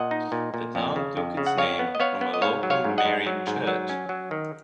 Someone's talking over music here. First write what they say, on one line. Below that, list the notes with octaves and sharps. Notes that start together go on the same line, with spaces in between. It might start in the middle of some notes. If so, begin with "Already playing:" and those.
The town took its name from a local Marian church.
Already playing: A#2 D#5 F#5
D#4
A#2
A#2
F2
C#3
F2
C#3
F#5
F2 C#5 F5
B3
D#5
B3 C#5 F5
B3
D#5
G#2 C#5 F5
F#3
C#5 F5
G#2
D#5 F#5
G#2
F#3
G#2
F#3
C#4
F#3
D#3